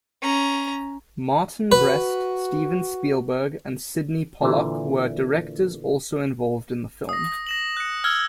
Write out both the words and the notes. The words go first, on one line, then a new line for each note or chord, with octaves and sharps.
Martin Brest, Steven Spielberg, and Sydney Pollack were directors also involved in the film.
C#4 A#5
F#4 B4
A#2 D3 E3
D#6 A#6
A#6 E7 F#7
F#6 C#7
E6 F6 G#6 G7